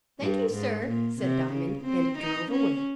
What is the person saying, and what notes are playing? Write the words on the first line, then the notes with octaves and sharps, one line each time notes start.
"Thank you, sir," said Diamond, and drove away.
G2
G#2
A#2
C3
C#3
C4
D#4
C#4